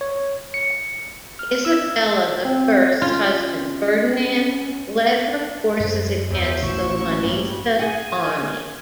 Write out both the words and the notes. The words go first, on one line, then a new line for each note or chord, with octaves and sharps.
Isabella the First's husband Ferdinand led her forces against the Juanista army.
C#5
C#7
F6
E6
C4
C#4 F4
F#2 G#4 C5
E2 C#5 E5 E6 G6
A1 F#4 C5 C#6 E6 E7
F#3 A#3 C#4
G2
G#4 F#5 G#5